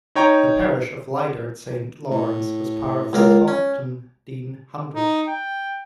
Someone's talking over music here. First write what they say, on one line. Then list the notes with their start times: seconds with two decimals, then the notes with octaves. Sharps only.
The parish of Lydeard Saint Lawrence was part of the Taunton Deane Hundred.
0.15 D#4 C#5 G5 A#5 C#6
2.10 A2
3.13 C#2 A#3 A#4
3.48 C#4
4.94 D#4
5.27 G5